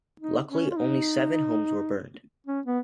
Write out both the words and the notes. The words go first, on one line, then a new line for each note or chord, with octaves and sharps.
Luckily, only seven homes were burned.
D#4
C#4
F4
D#4
C#4
B3